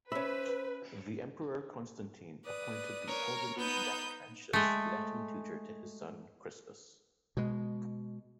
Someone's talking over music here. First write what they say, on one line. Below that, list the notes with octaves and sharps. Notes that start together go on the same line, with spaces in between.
The Emperor Constantine appointed the elderly Lactantius Latin tutor to his son Crispus.
C#4 B4 C5 E5 B5
B4 D5 D#6
A#4 C#5
B3 D#4 D#6 G6
G#3 A3
B2 G#3